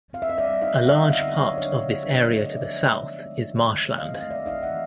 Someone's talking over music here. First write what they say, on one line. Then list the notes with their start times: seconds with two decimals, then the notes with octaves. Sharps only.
A large part of this area to the south is marshland.
0.13 C4 F5
0.22 E5
0.29 D#5
0.38 G3 D5 E5
0.61 D#4 D#5 F5
0.86 D3 E5 F#5
1.10 B3 D#5 F5
1.34 F#3
1.40 C#5
1.49 D5
1.58 D4 C#5 D#5
1.82 D3
2.06 D4
2.31 A3
2.45 D#5
2.54 F3 D5 E5
2.79 F3
3.03 B3
3.26 G#3
3.50 D#4
3.75 D#3
3.98 C4 D#5 F5
4.14 D#5 F5
4.22 A3
4.31 D5 E5
4.46 D#4 D#5 F5
4.63 E5 F#5
4.70 E3